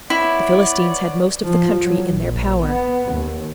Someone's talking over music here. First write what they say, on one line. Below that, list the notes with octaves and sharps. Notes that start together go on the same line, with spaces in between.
The Philistines had most of the country in their power.
B3 E4 C#5 D5
F3
F#3
A#1
B3
D#2